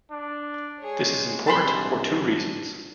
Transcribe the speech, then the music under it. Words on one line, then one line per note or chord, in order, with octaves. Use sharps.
This is important for two reasons.
D4
G#3 G#4 C#5
C2 D4 A5 B5 C6